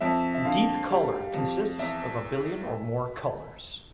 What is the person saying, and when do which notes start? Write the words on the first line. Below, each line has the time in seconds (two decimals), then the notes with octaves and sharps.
"Deep color" consists of a billion or more colors.
0.01 F2 E5
0.34 E5
0.45 D3 F5
0.90 G3
1.34 F2
1.79 E2 E5